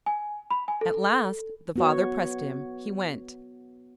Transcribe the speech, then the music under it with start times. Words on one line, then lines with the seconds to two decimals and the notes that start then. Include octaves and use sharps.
At last--the father pressed him--he went.
0.06 G#5
0.51 B5
0.68 G#5
0.81 A4
1.76 B3 F#4 C#5